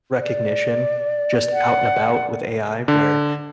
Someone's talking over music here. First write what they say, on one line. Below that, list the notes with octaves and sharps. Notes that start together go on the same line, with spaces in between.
recognition. Just out and about with AI, where
D5
F#5
D3